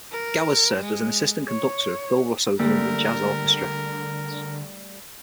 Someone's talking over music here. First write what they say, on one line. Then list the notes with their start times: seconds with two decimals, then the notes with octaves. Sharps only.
Gowers served as assistant conductor of Bill Russo's London Jazz Orchestra.
0.12 A#4
0.80 G#3
1.48 C#5
2.59 D3 G3 A3 A#3 A#4